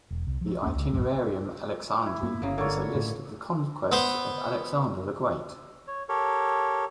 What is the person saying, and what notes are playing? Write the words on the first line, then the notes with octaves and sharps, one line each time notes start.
The "Itinerarium Alexandri" is a list of the conquests of Alexander the Great.
E1
C2
F3
D#2 A#3 C#4
C#2
A1 G2 F#3 A3
E4
G2 A#3 B3
G1 C#3 A#3
D3 A#3 C#5
A2
B3 C5
C#5
G4 A4 A#4 C#5